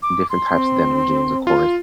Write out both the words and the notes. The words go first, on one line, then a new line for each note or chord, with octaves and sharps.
different types of denim jeans, of course.
D6
C6
C4
F4